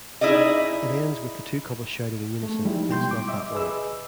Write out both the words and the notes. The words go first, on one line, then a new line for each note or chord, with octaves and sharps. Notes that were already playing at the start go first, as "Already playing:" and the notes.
It ends with the two couples shouting in unison It's not that way.
D#4 E4 G#4 D5 D#5
A3
F3 G3 G#3 D#4 E4
B2 G5 C6 G6
D6
D#5 E5 D6
G#4 B4 D#5 E6